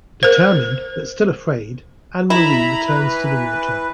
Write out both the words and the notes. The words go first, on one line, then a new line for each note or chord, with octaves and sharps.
Determined, but still afraid, Anne Marie returns to the water.
A#4 C5
E4 A#5 B5
E3 B4